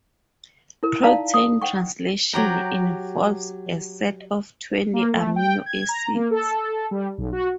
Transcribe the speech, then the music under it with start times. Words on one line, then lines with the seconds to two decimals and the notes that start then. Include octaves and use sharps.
Protein translation involves a set of twenty amino acids.
0.83 E4 A#4
1.03 D#4 D5 F5 A5 A#5
1.34 D#6
1.62 F#5 G5 C#6
2.33 F#3 G4 A#5
4.93 A#3
5.13 A3
5.36 G5
5.66 G#6
5.89 A#5
6.14 A#3
6.31 A4
6.91 G3
7.18 B1
7.32 F#4